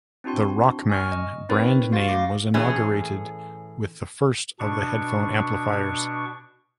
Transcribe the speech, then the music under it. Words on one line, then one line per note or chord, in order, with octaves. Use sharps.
The Rockman brand name was inaugurated with the first of the headphone amplifiers.
C4 D4 E4 F#4 C6
G#5 C#6 F6
D#5
C4 D#4 E4 A#4 B4 C#5
F#4 F5 C6 A6
A3 F#4 F5 D6 A#6 C7
A2 E3 C#4 G#4
B2 D4 C#6